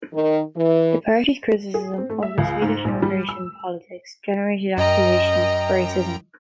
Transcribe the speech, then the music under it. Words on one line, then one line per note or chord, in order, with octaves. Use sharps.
The party's criticism of the Swedish immigration politics generated accusations of racism.
D#3
E3
G#4
C4
A3
E5
C#2
G#2
A#1
G3
E6
F#2 D#5 G5 A#5